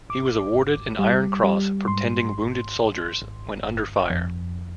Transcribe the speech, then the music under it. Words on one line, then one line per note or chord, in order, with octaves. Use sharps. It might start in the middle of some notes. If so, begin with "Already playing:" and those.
He was awarded an Iron Cross for tending wounded soldiers when under fire.
G#1 D6
G#1
G3
G3
G#2 C6
G#1
G#1
G#1
G1
F2